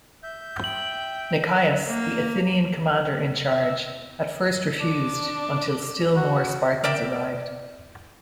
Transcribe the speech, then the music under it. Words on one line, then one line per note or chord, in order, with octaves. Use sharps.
Nicias, the Athenian commander in charge, at first refused, until still more Spartans arrived.
E5 G6
G5 F#7
A#3
E5
D4
F#4
A#4 D5 E5 G5